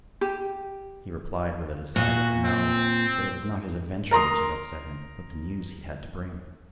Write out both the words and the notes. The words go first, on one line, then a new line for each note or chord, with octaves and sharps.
He replied with a decided no; that it was not his adventure which had upset him, but the news he had to bring.
G4
A#2 F#4
C4
A#4 A#5 C6 D#6